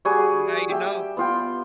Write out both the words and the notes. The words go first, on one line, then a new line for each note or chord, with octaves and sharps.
Now you know.
G3 F#4 G#4 G#5
G4 E5 G5
B3 F4 G5